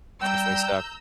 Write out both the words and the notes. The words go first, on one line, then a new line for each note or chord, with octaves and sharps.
Definitely suck.
G3 G5 A#5 E6 G6